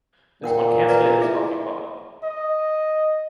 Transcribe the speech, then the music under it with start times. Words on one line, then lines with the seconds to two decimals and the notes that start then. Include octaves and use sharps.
This one can’t stay in its coffee pot!...
0.44 A#2 A#4 F#5 G5
0.88 B4 D5 A#5
1.21 E4 G#4 E5
2.24 D#5